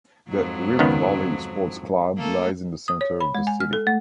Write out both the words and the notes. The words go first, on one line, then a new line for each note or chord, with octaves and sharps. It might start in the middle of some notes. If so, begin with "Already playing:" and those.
The Rift Valley Sports Club lies in the centre of the city.
F2 G#2 F#3
C#2 D#3 B3
A3 A#3 A4
D#6
C#5
B5
G#3
G#5
F6
A4
A3